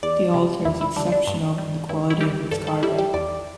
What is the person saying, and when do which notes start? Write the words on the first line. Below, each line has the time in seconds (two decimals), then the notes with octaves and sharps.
The altar is exceptional in the quality of its carving.
0.03 E2 D5
0.34 C3 G3
0.65 E2 E4
0.81 E4
0.96 D3 G3 D4
1.12 D4
1.27 G2
1.58 G3
1.89 G2 E4
2.10 E4
2.20 E3 G3 G4
2.51 G2 A4
2.67 A4
2.83 G3 E4
2.98 G4
3.14 E2 D5